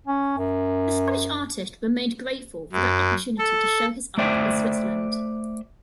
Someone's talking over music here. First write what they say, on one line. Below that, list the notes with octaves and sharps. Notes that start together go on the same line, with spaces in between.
The Spanish artist remained grateful for that opportunity to show his art in Switzerland.
C#4
F#2
F#2
A4
A3 C5 D5 E5 G5